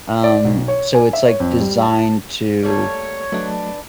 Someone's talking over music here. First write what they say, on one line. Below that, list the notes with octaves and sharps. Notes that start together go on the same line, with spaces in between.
um, so it's, like, designed to,
D5
B1
C#5
G#5
E5
C#5
F2
G3
A5
G3 A3 A#3 C#5
F#3 A3 D4 B4 D#5